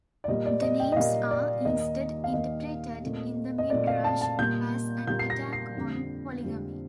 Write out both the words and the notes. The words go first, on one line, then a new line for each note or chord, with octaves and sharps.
The names are instead interpreted in the Midrash as an attack on polygamy.
D5
A#2 G3 A#3 D#5
D5
D#5
G5
D#5
A#2 G3 A#3 F5
D5
D#2 D#3 A#3 D#5
F5
D#2 D#3 A#3 D#5
A#2 A3 C4
D#5
A#2 A3 C4 D5
F5
A5
A5
A#2 G3 A#3 G6
A#2 G3 A#3 G6
C7
A#6
C7
F2 D3 G3 C4
F2 D3 G3 C4